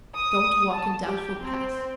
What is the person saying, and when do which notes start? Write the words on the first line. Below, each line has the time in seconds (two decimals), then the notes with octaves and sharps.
Don't walk in doubtful paths.
0.16 D#6
0.73 A5
1.05 G4
1.41 C4